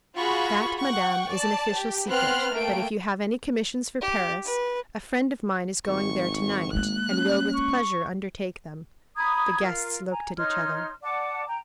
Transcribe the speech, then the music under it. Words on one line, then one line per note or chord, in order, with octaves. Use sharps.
"That, madame, is an official secret; but if you have any commissions for Paris, a friend of mine is going there to-night, and will with pleasure undertake them." The guests looked at each other.
F4 F#4 G#4 B5 C#6
F#5 G5 C#6
D5 A5
G4
B3 C4 B4 C6 F6 F#6
A3 A#3 G5 D7
G4
B4
G#1 C#6
G#3 A#3 F#6
C#4
C#6
A#5 B5 D#6 G#6
F4 A#4
G#5 A#5
D#4 C#5 C6 F6
D5 F#5 A5 D6
G5 A#5